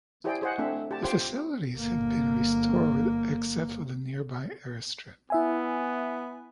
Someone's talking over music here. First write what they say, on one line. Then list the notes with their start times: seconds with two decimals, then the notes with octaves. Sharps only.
The facilities have been restored except for the nearby airstrip.
0.24 E4 G4 G#4 C5 D5 G5
0.42 G#4 C5 D#5 F#5
0.58 A3 C4 D4 E5
0.91 G4 A5
1.02 F4 G4 C5 G5
1.76 G1 A#3
5.30 B3 E4 E5 G#5